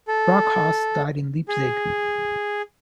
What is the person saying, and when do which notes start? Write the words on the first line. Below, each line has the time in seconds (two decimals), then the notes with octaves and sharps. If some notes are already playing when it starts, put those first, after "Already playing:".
Brockhaus died in Leipzig.
0.08 A4
1.48 G#4